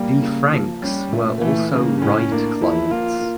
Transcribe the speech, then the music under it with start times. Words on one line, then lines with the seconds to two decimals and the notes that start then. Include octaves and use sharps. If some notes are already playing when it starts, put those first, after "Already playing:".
The Franks were also Wright clients.
Already playing: G3 A#3
0.22 C#3
0.53 F3
0.83 G3 C#4
1.12 A#2 A3
1.41 E3 A3
1.72 C#3 A#3
2.01 A2 C#4
2.32 A#3 D4
2.61 F3 E4
2.91 A#3 F4
3.21 A#3